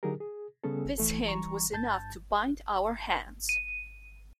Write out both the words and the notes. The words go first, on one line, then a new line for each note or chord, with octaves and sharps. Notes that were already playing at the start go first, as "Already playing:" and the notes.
This hint was enough to bind our hands.
D3 F#3 D#4 G4 G#4 A#4
G#4
C#3 G3 B3 C#4 G#4 A4
E3 A3 A4
E3 G3 A#5 C#6
G2 A5 G6 A6
D#7